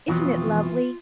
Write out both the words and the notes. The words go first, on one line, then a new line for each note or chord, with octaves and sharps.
Isn't it lovely?
F2 B2 E3 F#3 F4